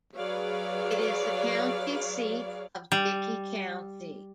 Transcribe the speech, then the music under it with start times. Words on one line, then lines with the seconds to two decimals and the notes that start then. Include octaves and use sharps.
It is the county seat of Dickey County.
0.16 F#3 G#4 B4 C#5 D5 F5
2.92 G3